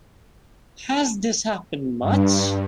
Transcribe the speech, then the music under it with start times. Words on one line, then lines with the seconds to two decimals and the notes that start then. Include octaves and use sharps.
Has this happened much?
2.01 G2